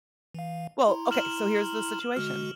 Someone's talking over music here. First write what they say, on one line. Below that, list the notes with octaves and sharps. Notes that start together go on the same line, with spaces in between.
Well, okay, so here's the situation,
E3 F5
E4 A#5 C6
F6 E7 F#7
D3 G#3 F#4 F6